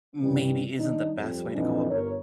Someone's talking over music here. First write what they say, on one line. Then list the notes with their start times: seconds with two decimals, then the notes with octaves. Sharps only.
maybe isn't the best way to go
0.22 G2 C3 E3 G3
0.78 D#3 G3 D4 D#4
1.17 F2 G3
1.54 F2 A#2 D3 E3 D4 D#4
1.90 G1 A#4 C#5